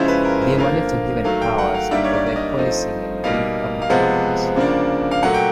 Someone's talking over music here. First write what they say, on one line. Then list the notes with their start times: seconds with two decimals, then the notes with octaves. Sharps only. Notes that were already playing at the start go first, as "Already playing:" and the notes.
They were later given powers to provide policing and build public buildings.
Already playing: C#3 F3 G#3 C#4 E4 C5
0.08 B4
0.24 A#4
0.42 C5
0.58 D3 F3 A#3 F5
1.24 D#3 F#3 A3 F5
1.42 G5
1.58 F#5
1.74 F5
1.91 D#3 G3 A#3 D4 E5
2.04 C#5
2.13 D5
2.26 D5
2.36 D#5
2.58 F3 A3 C4 D#4
3.24 B2 G3 A#3 D#4 F5
3.82 F5
3.90 C3 F3 G#3 B3 F#5
4.56 C#3 F3 A#3 D4
5.11 F5
5.23 A#2 F#3 A3 F#5
5.34 G5